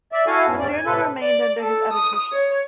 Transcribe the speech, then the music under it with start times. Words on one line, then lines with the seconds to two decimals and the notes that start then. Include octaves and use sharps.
The journal remained under his editorship.
0.12 D5 E5
0.27 E4 F#4 A4 F5 G#5
0.47 F2 G#2 B3 C#4
0.59 E2 G#2 C#4 D5
0.72 G#5
0.86 A2 C3 A4 B4
1.22 D5
1.60 A4
1.93 D#6
2.32 C#5